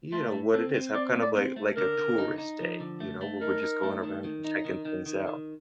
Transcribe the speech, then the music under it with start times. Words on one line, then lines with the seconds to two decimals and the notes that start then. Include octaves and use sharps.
you know, what it is." Have kind of like like a tourist day, you know, where we're just going around and checking things out,
0.12 A3 F4
0.32 A2
0.53 C4 A4
0.74 C4
0.95 C4 D5
1.15 A2
1.21 D5
1.36 C4
1.56 A3
1.77 D3 A#4
1.98 D3
2.18 D#4
2.38 D#4
2.60 F3
2.80 D3
3.00 A3
3.21 A3
3.41 D#4 A#4
3.62 D#4
3.83 A3
4.03 D#3
4.24 D#3
4.44 D#4
4.65 D#3
4.85 D#3
5.06 D#3
5.27 D#3